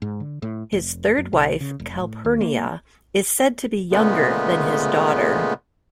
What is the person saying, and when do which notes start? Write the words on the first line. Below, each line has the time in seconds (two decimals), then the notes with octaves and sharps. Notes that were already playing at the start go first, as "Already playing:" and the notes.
His third wife Calpurnia is said to be younger than his daughter.
0.02 G#2
0.20 D3
0.42 A2
0.72 F1
1.18 F#2
1.33 C2
1.61 C#3
1.80 F1
1.99 A2
2.25 D#2
2.41 A#3
3.91 A#2 C#3 G#3 A3 B3